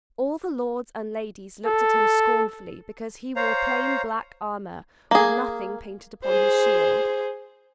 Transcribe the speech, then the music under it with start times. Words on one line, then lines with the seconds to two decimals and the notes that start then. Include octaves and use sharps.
All the lords and ladies looked at him scornfully because he wore plain black armor with nothing painted upon his shield.
1.65 A4
3.36 C5 C#5 F5 A#5
5.11 A#3 G#4
6.25 G#4 C5